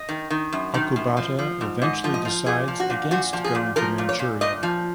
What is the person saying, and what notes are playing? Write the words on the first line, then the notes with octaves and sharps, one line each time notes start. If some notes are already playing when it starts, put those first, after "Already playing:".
Okubata eventually decides against going to Manchuria.
Already playing: D#5
D#3
D#3
F#2
D#3
F#2
F3
F3
G#2
G#2 D#5
F3
D#5
F3
A#2 G#4
F3
F#4
A#2
A#2 F#4
F3
G#4
A#2
F3 A#4
A#2
C#5
A#2
A#2 D#5
F3